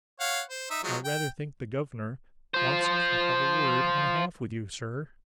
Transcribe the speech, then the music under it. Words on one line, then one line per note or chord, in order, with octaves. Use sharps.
I rather think the gov'nor wants to have a word and a half with you, Sir.'
C#5 F5 F#5
C5
D#4 E5
F3 F#3 G#3
G5
F4 C5